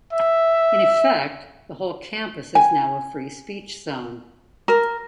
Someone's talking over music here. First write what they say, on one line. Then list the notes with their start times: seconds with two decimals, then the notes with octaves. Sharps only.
In effect, the whole campus is now a 'free-speech zone.
0.12 E5
2.55 G#5
4.68 A#4